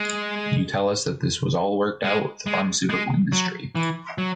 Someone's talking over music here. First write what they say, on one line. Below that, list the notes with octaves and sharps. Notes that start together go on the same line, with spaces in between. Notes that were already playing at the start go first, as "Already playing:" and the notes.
You tell us that all of this was worked out with the pharmaceutical industry.
Already playing: G#3
G#3
G#3
G#3
F#3
E3
F#3